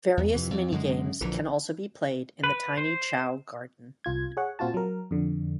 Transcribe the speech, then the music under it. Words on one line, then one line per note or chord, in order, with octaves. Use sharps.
Various mini-games can also be played in the Tiny Chao Garden.
E2
F2 C3 E3
F2
F#2 D3 G#3
A#1 A#2 D3 E3
B4
C5
C2 F4 G#6
G#4 C#5 F#5
A#2 C4 F4 F#4 A5
F#3 A#4
F2 D3